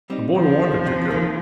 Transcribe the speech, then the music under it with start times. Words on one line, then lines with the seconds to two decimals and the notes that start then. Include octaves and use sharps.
The boy wanted to go.
0.10 G3 C4 D#4
0.35 D#2 F3
0.59 D#3 C4
0.85 C3
1.11 D#3 A#3